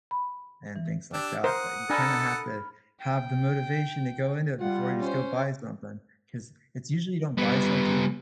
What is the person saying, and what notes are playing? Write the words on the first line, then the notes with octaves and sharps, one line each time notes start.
and things like that, but you kinda have to have the motivation to go into it before you just go buy something, 'cause it's usually you don't buy something
B5
E3
D4 G4 E6
A#4 C5 F#5 D#6
D4 A4 A#4 G#5 B5
G5
G3 F4 F#5
C#4 C5
G3 B3